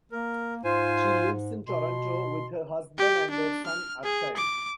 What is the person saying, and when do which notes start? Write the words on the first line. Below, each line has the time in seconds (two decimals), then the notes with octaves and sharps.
She lives in Toronto with her husband and their son, Arshile.
0.12 A#3 A#4
0.64 G#2 F4 C5 G#5
1.67 B2 C6
2.98 G4
3.31 D4
3.66 F6
4.04 G#4
4.37 D6